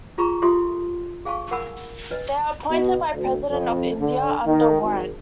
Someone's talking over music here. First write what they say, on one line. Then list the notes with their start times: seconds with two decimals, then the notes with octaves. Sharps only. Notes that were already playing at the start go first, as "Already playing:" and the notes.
They are appointed by President of India under warrant.
0.18 F4 G#4 A#5 B5 C#6
0.42 F4 G4 A4 E5 C6 D#6
1.25 G#4 F5 G#5 A5 C#6
1.51 A#4 F#5 G#5 A5 B5 E6
2.11 D4 B4 D#5
2.70 B2
3.15 D2
3.50 F2
3.99 D3
4.46 D#3
4.82 G#1